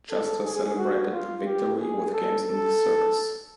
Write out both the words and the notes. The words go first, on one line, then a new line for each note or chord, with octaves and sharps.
Justa celebrated the victory with games in the circus.
A4
G#4
F#4
F4
G4
G#4
A4
A4